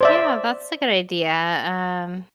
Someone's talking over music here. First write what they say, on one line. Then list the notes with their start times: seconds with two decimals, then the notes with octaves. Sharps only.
Yeah, that's a good idea. Um,
0.01 C5 D5 E5